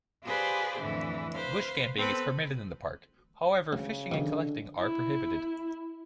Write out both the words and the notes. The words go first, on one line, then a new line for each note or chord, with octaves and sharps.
Bush camping is permitted in the park, however fishing and collecting are prohibited.
F4 G4 G#4 B4 C5 D5
F2 A2 D3 E3
B4 C5 F5
B3 C4 A4 B4
D2 C#3
B2 D3 D#3
E4